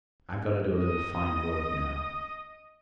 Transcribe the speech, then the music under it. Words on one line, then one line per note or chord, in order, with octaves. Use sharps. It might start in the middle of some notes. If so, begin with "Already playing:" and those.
I've got to do a little fine work now.
D#5 D#6